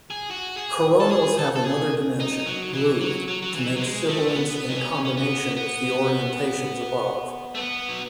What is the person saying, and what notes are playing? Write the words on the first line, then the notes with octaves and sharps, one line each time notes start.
Coronals have another dimension, grooved, to make sibilants in combination with the orientations above.
G#4
F#4
G#4
A4
G#4
A4
A4
G#4
D#4
F#3
E3
F#3
F#3
F#3
E3
F#3
G#3
A3
C#4
B3
D#4
C#4
C#4
B3
B3
A3
B3
F#3